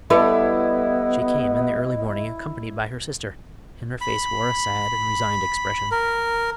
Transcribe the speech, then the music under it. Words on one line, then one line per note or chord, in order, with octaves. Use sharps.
She came in the early morning, accompanied by her sister, and her face wore a sad and resigned expression.
G3 B3 E4 A4 B4 D#5
B5
A#4